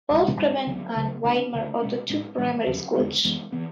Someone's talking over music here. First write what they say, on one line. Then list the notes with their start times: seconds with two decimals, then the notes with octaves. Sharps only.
Wolfgraben and Widmer are the two Primary Schools.
0.10 C#2 B2 G#3
0.38 G#2 G#3 D4
0.67 D2 D3 F#3 B3
0.95 D2 C#3 F#3
1.24 D2 D3 A3 D4
1.53 D2 D3 A3
1.82 B2 G#3 C#4
2.10 A2 G#3 C#4
2.38 A2 E3 G#3 D4
2.66 E2 D3 F#3 C#4
2.95 E2 D3 G#3 B3
3.24 F#2 E3 G#3 B3
3.52 E3 B3